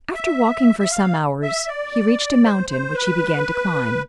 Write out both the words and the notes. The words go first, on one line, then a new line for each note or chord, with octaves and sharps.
After walking for some hours he reached a mountain, which he began to climb.
E5
E5
F5
E5
D5
C5
C5
B4